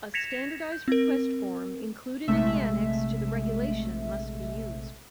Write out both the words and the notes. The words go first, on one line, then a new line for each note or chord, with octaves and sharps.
A standardised request form included in the annex to the regulation must be used.
G#6 A#6 B6 C#7 E7 F7
G6
C4 A#4
A#1 C3 G#3 A3 E5